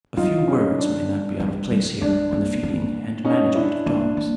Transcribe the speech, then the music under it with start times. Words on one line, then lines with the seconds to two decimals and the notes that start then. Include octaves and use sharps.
A few words may not be out of place here on the feeding and management of dogs.
0.17 F#3 D#4 F4
0.48 C#4 D#4
0.78 D4
1.40 G3
1.71 G3
2.01 G#3 D4
2.32 A#3
2.63 A#3
3.25 C#4 D#4
3.55 D4 E4
3.86 A#3 D4
4.17 A#3